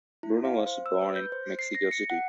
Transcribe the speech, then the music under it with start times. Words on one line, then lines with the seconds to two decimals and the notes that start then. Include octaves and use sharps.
Bruno was born in Mexico City.
0.23 E4
0.45 F5
0.66 C5
0.86 E6
1.01 B4
1.16 G6
1.32 C5
1.59 C7
1.75 A#6
1.91 C#7
2.10 F#5